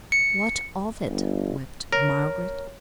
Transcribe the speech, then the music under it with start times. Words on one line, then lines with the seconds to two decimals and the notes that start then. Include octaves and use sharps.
"What of it!" wept Margaret.
0.12 C#7
1.08 G1
1.93 A#4 C#5